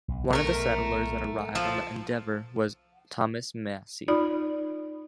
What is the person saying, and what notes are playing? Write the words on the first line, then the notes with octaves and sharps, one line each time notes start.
One of the settlers that arrived on the "Endeavor" was Thomas Massey.
B1
A3 A#4
F3 A4
D#4 F4 D5 B5